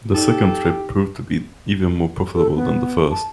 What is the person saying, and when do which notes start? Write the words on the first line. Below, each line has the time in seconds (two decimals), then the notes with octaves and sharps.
The second trip proved to be even more profitable than the first.
0.14 D#4 G4 A4 D5
2.34 A4
2.56 B3
3.11 A5